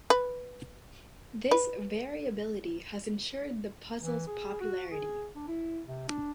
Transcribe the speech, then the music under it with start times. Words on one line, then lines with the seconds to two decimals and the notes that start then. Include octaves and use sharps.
This variability has ensured the puzzle's popularity.
0.10 B4
1.51 B4
4.00 E3
4.27 G#4
4.61 F#4
4.92 G#4
5.36 D4
5.48 E4
5.88 C3
6.09 D4